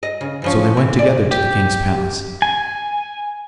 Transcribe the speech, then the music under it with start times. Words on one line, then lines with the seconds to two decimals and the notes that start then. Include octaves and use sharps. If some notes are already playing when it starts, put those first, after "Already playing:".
So they went together to the king's palace.
0.03 D#5
0.21 C#3
0.42 E3 F3 C#4
0.77 E3
0.99 D5
1.31 G4
2.42 G#5